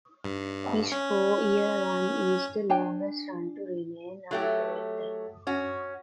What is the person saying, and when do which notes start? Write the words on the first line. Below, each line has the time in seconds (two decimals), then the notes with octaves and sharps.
His four-year run is the longest run to remain uncollected.
0.24 G2
0.92 C#4
2.70 D4 G5 G#5
4.31 F#3 A3 G4
5.47 C#4 F#4